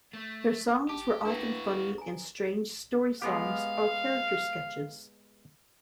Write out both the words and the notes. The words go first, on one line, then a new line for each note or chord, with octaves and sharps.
Their songs were often funny and strange story-songs or character sketches.
A3
G4 A5 D6
D4 E4 F#4 B4 G5
G#5 A#5
G#3 B3 G4 F5